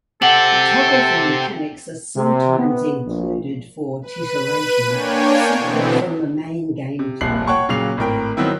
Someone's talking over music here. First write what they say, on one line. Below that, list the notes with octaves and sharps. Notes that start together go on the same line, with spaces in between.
Photography mechanics are sometimes included for titillation separate from the main gameplay.
C4 G4 A4 F#5 F#7
C3
B3
A#1
B4 D#7
A#3 D4 C#5 G5 G#5
B2 D3 E3 B3 C4
C3
D#1 A#1 C7 F#7
C#5 F#5 G5 A5 C#6
A#2 C#3 F#3 C7 F7
G#1 A2 A#4 G5
D#3 F#3 B3 C4 E4